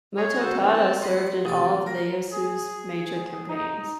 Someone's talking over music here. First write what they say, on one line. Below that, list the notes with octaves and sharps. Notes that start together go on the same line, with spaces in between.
Mototada served in all of Ieyasu's major campaigns.
G#4 C#5 G#5 A#5
C#3 F#4 A4 C5 A5
D#3 E3 A#3 C4
C4 A5
C5 D#5 B5 C6
A1 C3 D5 D#6
A#4 F5 A#6
G#4
D#4